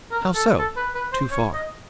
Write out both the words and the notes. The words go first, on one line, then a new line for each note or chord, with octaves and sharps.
"How so--too far?"
A#4
A4
A4
B4
B4
C5
C#5
D#5